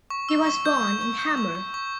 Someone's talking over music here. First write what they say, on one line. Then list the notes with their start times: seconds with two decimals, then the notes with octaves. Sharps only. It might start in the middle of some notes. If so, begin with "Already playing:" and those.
He was born in Hamar.
0.10 C#6
0.29 E6
0.47 C#6
0.66 G6
0.83 C#6
1.01 C#6
1.19 G6
1.37 C#6
1.55 C#6
1.74 C#6